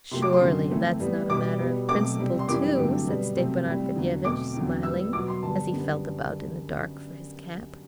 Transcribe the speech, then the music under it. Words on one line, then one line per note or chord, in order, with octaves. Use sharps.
"Surely that's not a matter of principle too," said Stepan Arkadyevitch, smiling, as he felt about in the dark for his cap.
C3 F#3 A3 C4 C6
D6
C6
F#2 D3 F#3 C4
A2 E3 A3 C4
A2 G3 B3
B2 G3 B3 D6
B2 G3 B3
B2 F#3 A3 C4 D6
C3 G3 C4
C6
F#2 E3 G3 C4 D6
G2 D3 F#3 A3 C4
B2 G3 B3
C3 F#3 A3 C4
A2 G3 C4
E2 D3 F#3
B2 A3 C4 D6
E2 D3 F#3 C4
A2 G3 B3 E6
B2 F#3 B3 D6
C6
G2 D3 G3 B3 A5
F#2 D3 G3 B3